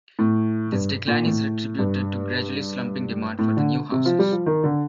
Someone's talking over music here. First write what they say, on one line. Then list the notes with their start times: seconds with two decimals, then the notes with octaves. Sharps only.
This decline is attributed to gradually slumping demand for the new houses.
0.19 A2
0.72 G2
1.08 A#2
1.25 A2
1.79 G2
3.39 A2
3.57 D3
3.92 C3
4.05 F3
4.19 G3
4.32 F3
4.46 D#3
4.64 D3